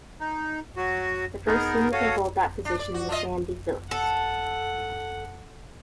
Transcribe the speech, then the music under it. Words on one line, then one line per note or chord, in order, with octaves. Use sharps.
The first student to hold that position was Sandy Phillips.
D#4
F#3 F#4
B3 D#4 G#4 A#4
F#4 A4 C#5 F5 D#6
D4
D5
F#4
D4 F4 D#5
A4 F#5